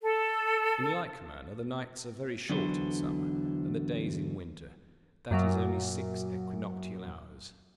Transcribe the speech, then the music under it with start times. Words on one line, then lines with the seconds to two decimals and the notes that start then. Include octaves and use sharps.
In like manner the nights are very short in summer, and the days in winter, that is, only six equinoctial hours.
0.02 A4
2.49 E2 D3 F#3 D4 B4 C5
5.31 F#2 A#2 F#3